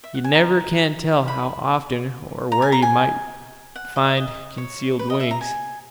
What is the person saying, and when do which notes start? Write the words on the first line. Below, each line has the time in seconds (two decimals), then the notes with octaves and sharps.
You never can tell how often or where you may find concealed wings.
0.04 E5
0.15 F#5
0.24 G#5
0.35 A#5
1.28 B5
2.52 A#5
2.62 G#5
2.72 A#5
2.82 G#5
3.76 F#5
3.96 D#5
4.17 D#5
4.58 C#5
4.99 B4
5.10 D#5
5.20 E5
5.31 A#5
5.41 G#5